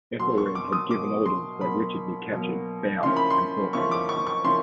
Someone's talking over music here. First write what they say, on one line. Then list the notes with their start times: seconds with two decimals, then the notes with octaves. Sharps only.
Ethelred had given orders that Richard be captured, bound and brought to England.
0.20 B2 F#3 A#3 C6
0.38 C#6
0.55 D6
0.72 D#6
0.90 B2 F#3 A#3 D6
1.26 C6
1.61 B2 F#3 A#3 B5
2.32 B2 F#3 A#3
3.03 C#3 F3 A#3 C#4 E4 C6
3.17 B5
3.30 C6
3.73 C#3 F3 A#3 C#4 E4 C#6
3.91 D6
4.09 C#6
4.27 C#6
4.44 C#3 F3 A#3 C#4 E4 C6